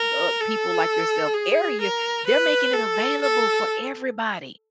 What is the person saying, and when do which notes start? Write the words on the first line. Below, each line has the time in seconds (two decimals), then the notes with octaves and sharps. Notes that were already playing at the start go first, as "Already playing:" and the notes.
uh, people like yourself area, they're making it available for everybody.
Already playing: A#4
0.41 A4
1.34 G#4
1.81 A#4
2.27 B4
2.73 A4
3.21 A4